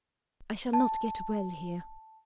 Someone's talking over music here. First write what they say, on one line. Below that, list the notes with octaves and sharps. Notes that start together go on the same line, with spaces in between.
I shall not get well here.
A5